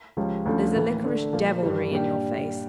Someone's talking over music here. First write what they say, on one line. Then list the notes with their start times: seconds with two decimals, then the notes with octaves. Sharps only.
There's a liquorish devilry in your face.
0.17 C#2 C#3 F3 C#4 G4
0.46 D2 D3 F3 A3 C#4
0.75 A2 E3 A#3
1.04 D3 A3 D4
1.33 A#2 F3 A#3
1.63 G2 E3 G3
1.91 A#2 G3 D4 G4